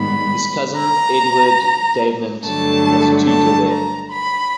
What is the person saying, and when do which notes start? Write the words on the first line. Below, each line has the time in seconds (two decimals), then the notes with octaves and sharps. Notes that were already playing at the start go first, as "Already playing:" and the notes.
His cousin, Edward Davenant, was a tutor there.
Already playing: G#2 D#3 G3 B3 B5
0.77 A#5
2.44 G2 D3 F#3 A3 A5
3.28 A5
3.70 A#5
4.11 B5